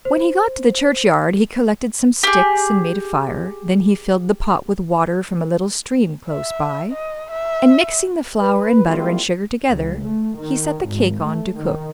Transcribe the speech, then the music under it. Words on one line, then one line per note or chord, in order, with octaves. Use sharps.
When he got to the churchyard he collected some sticks and made a fire; then he filled the pot with water from a little stream close by, and mixing the flour and butter and sugar together, he set the cake on to cook.
C5
G4 G#4
E5
D#5
E5
B4
G3 G#3 A#3 C4 E4 F4
C#2
A3
D#3
G#1
A3
D#3